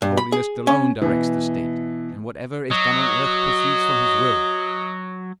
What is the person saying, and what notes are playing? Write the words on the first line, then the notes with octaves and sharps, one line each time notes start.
His holiness alone directs the state, and whatever is done on earth proceeds from his will.
G2
B5
G#4
C#4
B2 E3
F#3 D#5